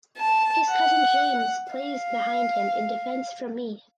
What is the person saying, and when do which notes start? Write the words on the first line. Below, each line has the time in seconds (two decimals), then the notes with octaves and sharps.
His cousin James plays behind him in defence for Meath.
0.18 A5
0.71 F#5
1.74 F5